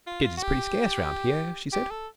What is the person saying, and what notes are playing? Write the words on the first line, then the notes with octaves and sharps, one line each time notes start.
"Kids is pretty scarce round here," she said.
F4
F4
F#4
G4
G4
A4